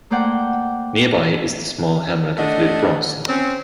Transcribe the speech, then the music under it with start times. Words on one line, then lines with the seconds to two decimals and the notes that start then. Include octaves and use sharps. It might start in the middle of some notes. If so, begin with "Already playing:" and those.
Nearby is the small hamlet of Little Braunston.
0.10 A3 A#3 C5 D5 F#5 G5
2.37 A3 D4 D#5 F#5
3.28 C4 C#4